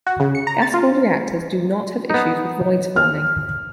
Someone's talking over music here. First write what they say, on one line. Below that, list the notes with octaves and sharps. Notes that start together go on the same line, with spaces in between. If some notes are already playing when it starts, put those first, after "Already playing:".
Gas-cooled reactors do not have issues with voids forming.
F#4
C#3
C#7
A#5
A6
F4
B3 D#4
F6